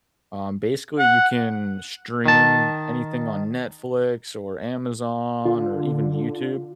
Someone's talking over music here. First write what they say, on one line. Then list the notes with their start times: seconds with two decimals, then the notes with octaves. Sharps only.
um, basically, you can stream anything on Netflix, or Amazon, or even YouTube.
0.99 F#5
2.26 D#3 A5
5.45 D3 F4